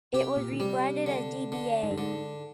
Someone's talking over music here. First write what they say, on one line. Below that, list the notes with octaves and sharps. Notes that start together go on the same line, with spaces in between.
It was rebranded as dba.
C3 G4
A#2
D3
C3 G3
D3
D3
G#2
G2
G#2 D3